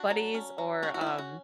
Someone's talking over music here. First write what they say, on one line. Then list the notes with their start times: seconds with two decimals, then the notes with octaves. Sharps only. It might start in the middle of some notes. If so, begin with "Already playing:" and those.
Buddy's or, um,
Already playing: D4 F#4
0.10 F#3
0.34 C#4
0.58 F#3
0.83 C#4 F#4
0.94 F#4
1.01 E4
1.07 C#4
1.18 F#4